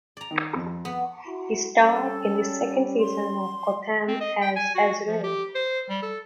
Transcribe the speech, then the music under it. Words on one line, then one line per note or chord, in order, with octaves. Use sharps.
He starred in the second season of "Gotham" as Azrael.
D5 A#5
D#3
F2
B3
E4 F#4
G3 C#4 A4
C6
C4
D#5
G5
G#5
F#4
F3
G4
C5
G3
A4